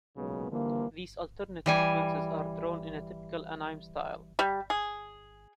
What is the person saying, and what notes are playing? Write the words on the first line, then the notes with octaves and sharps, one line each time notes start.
These alternate sequences are drawn in a typical anime style.
B1 A#2 C#3 F#3 G#3 B3
D3 E3 F3 G3 A#3
E3 G3 G#5
G3
G#4